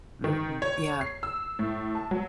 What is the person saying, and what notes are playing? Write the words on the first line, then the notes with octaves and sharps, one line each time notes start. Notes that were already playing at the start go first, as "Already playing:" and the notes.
Mm, yeah.
D#3
C#5
C7
E6
A2
A5
F#3